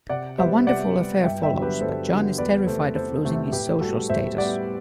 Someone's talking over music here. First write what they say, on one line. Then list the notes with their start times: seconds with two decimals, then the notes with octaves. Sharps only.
A wonderful affair follows, but John is terrified of losing his social status.
0.09 C3 D5 F#5
0.38 G3 B3 C5 E5
0.67 C3 D5 F#5
0.96 G3 B3
1.24 G2 E5 G5
1.43 E5 G5
1.52 D3 F#3 B3
1.62 G4 B4
1.81 G2 A4 C5
2.10 D3 F#3 B3
2.38 E2 B4 D5
2.67 C3 E3 A3 C4 A4 C5
2.95 E2 A4 C5
3.24 C3 E3 A3 C4
3.52 A2 G4 B4
3.81 G3 B3 F#4 A4
4.09 A2 C5 E5
4.38 G3 B3 D5 F#5